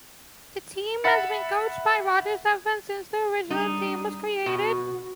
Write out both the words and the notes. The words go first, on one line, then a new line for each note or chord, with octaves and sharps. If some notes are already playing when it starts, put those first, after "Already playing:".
The team has been coached by Roger Stephens since the Richland team was created.
E5 F#5 B5 A6 C#7
G3 D4 D#4
B2 F#4